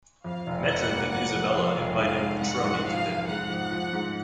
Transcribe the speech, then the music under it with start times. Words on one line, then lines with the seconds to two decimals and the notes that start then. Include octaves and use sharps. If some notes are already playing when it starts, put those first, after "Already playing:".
Metrand and Isabelle invite Patroni to dinner.
0.24 F2 F5
0.47 F1
0.68 F1 F#5
0.89 A#3
1.11 F3 F#5
1.34 F3
1.54 F2 F5
1.76 F1
1.98 G#2 F5
2.19 G#2
2.41 G#2 F#5
2.63 G#2
2.84 F3 F5
3.06 F3
3.29 G#2 F#5
3.49 F3
3.72 F3
3.93 G#2